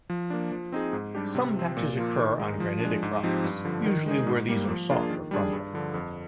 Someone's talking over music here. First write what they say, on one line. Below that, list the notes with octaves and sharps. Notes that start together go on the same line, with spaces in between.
Some patches occur on granitic rocks, usually where these are soft or crumbling.
F3
A#3 D4
F3
C4 D#4 G#4
G#2
G3 D4 G4
C3
F3 C4
A#2
F3 A#3 F4
D#3
G#3 D#4
F3
G#3 D4
G#2
F3 C4 D#4 G4
G2
D3 F3
D#3
G#3 D#4 G#4
G#2
G3 A#3
F3
A#3 D4 F4 G#4
D#3
G3 D4 G#4
G2
D3 F3
F2